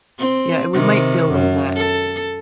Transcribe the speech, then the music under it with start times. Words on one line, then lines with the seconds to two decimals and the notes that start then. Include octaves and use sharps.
you know, and we might build on that.
0.19 C4
0.73 C3 D#3
1.32 F#2
1.76 A4